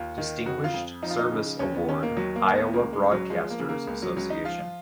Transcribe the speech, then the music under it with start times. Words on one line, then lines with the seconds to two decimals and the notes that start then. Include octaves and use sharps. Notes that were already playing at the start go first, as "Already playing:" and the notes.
Distinguished Service Award, Iowa Broadcasters Association.
Already playing: D#2 F4
0.18 D#3
0.46 F2 F#4
0.64 F4
0.74 F2
1.02 F3 D#4
1.10 F4
1.19 D#4
1.32 C#3
1.59 D#2 C#4
1.75 B3
1.88 D#3 C#4
2.03 A#3
2.16 D#2 F#3
2.36 A#3
2.45 D#3
2.54 B3
2.73 C#2 A#3
2.93 G#3
3.02 C#2
3.12 F#3
3.30 F3 G#3
3.50 A#3
3.59 C#3
3.69 A#3
3.87 C#2 A#3
4.02 F#3
4.16 C#2 F#3
4.30 D#4
4.44 F3 F4